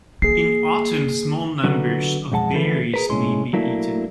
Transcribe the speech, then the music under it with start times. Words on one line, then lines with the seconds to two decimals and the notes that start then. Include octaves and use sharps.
In autumn small numbers of berries may be eaten.
0.22 A#3 G#4 C7
1.64 D3 F#3 B3
2.32 B1 F2 G#3 F#5 A5
2.54 D3 E3 F3 A3 A4 B4
2.94 G#4 A#4 B4
3.09 C2 A2 G#3 C#4 C6
3.53 F#3 A3 A#3 D4 E4 A#4